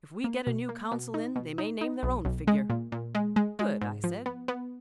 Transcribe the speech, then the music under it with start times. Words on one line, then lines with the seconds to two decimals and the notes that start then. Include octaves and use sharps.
If we get a new council in they may name their own figure.' 'Good,' I said.
0.24 A#3
0.47 B2
0.69 A#3
0.92 B2
1.14 D#4
1.36 B2
1.58 D#4
1.81 D#4
2.03 B1
2.25 B1
2.47 G#3
2.70 A#2
2.92 A#2
3.15 G#3
3.36 G#3
3.59 G#3
3.81 G#2
4.04 F3
4.26 B3
4.48 B3